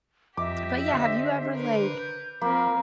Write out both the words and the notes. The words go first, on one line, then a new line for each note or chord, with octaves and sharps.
but, yeah, have you ever, like,
F2 G4 D#5 E5 D6
D3 C5
A#4 B4
G6
F3 A#3 C4 A#4 B5